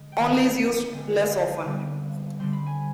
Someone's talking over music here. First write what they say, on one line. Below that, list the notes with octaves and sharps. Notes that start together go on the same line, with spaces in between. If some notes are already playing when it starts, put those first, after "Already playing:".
Only is used less often.
Already playing: D3 G#3 D#5
G5
D#3 B3 F5
D3 G#3 C4
D#5
F5
G5
D3 G3 B3
D3 G3 C4 C6
B5
G#5